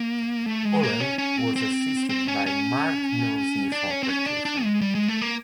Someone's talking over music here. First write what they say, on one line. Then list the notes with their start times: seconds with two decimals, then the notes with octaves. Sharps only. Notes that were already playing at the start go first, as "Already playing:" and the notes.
Holland was assisted by Mark Nauseef on percussion.
Already playing: A#3
0.46 A3
0.65 G#3
0.83 A#3
1.00 C#4
1.18 C#4
1.37 C4
1.56 C4
2.09 C4
2.28 C#4
2.46 C#4
3.72 D4
3.91 C#4
4.03 C4
4.09 C#4
4.26 D4
4.45 D4
4.64 G#3
4.81 G3
4.95 G#3
5.08 A3
5.21 A#3